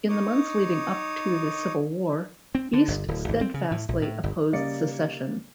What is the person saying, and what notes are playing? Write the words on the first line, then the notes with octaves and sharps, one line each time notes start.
In the months leading up to the Civil War, East steadfastly opposed secession.
D#4 C#5 D6 D#6
C4
D3
G1
D1
G#1
C4
C#3
A2
A#1
A2
G1
C#3 G3 A#3 D5 D#5 C#7